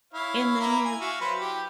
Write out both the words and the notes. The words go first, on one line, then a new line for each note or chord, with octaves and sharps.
And then you're
E4 C#5 F5
A#3 E4 A#4
G#5
F#4 E5 F5
F#3 B4 C5
E4 G4